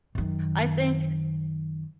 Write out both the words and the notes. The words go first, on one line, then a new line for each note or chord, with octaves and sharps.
I think
F#2 D#3